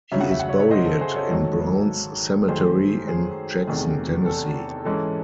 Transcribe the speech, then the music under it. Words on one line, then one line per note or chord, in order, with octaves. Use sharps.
He is buried in Browns Cemetery in Jackson, Tennessee.
F#2 C#3 F#3 C#4 E5
F#5
E5
F#5
C#5 E5
C#5
C5 D#5
A4
G#4 C5
A4 C#5
G#2 D#3 F#3 A4 C#5
F#2 D#3 A3 G#4 C5
G#4 C5
E2 C3 D#3 A3 G#4
A4
G#2 E3 G#3 C#4 A4